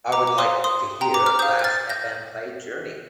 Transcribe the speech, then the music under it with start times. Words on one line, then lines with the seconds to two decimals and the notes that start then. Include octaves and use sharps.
I would like to hear lastfm play journey.
0.12 A#5 D6
0.27 D6
0.38 C5 F5 C6 D#6
0.64 C6 D#6
1.01 G5 A#5
1.14 A#5 D6
1.26 D6 F6
1.39 C5 F5 D#6 G6
1.59 G6
1.64 F6 A6
1.89 G6 A#6